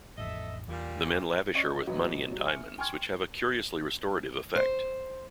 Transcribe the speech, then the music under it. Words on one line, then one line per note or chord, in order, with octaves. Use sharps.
The men lavish her with money and diamonds, which have a curiously restorative effect.
A1 F2 A4 D#5 E5
E2 A#2 G3
C#4 D5 D#5 C#6
D#1 A#1 F#3 B4 D#5
F#3 G3
E5 G#5 F6 C#7
G5 G#5 C6 C#6 F6 G#6
C5